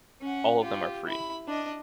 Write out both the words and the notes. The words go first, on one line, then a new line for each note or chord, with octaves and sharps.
All of them are free.
C#4 F#5
F4 G4
E4 B5
D4 D#5